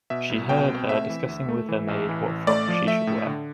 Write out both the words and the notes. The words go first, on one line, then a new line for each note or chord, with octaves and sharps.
She heard her discussing with her maid what frock she should wear.
B2 E5
C2
B2 G5
C4
A3 E5
E3
D2
A3
E3
A1
E3
A1
A3 D5
F3
A3 E5
A2
D3